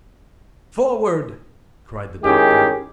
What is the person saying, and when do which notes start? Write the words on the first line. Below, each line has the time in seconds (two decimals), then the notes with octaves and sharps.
"Forward!" cried the doctor.
2.23 D#3 G#3 C#4 E4 G4 G#4